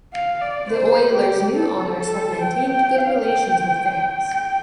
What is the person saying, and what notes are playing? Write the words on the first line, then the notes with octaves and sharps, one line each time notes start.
The Oilers' new owners have maintained good relations with fans.
F5
D5
C5
G4
A4
A4
G5
G5
F5
G5
G5